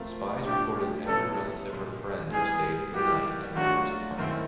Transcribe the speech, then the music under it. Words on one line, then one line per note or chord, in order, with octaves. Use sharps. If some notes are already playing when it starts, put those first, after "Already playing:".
Spies reported every relative or friend who stayed the night at another's apartment.
Already playing: F3 A3 C4 F4 A#4
F3 A3 D4 G4
C#3 F#3 B3 E4 A4
A#2 F3 G#3
G#2 E3 G3 B3 G#4
E3 G3 A#3 D#4 F#4 G4
F#3 A3 D4 F4 F#4
F#2 D#3 G#3 C4 E4